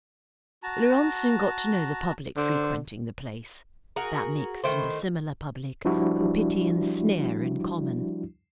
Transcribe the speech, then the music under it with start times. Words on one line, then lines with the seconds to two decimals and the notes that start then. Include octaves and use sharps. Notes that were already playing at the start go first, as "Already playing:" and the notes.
Laurent soon got to know the public frequenting the place, that mixed and dissimilar public who pity and sneer in common.
0.63 F#4 A5 A#5
2.37 D3 C5
3.96 F#4 G#4 A#4
4.64 D#3 A3 E4 C5
5.85 F3 G3 D4 E4 F#4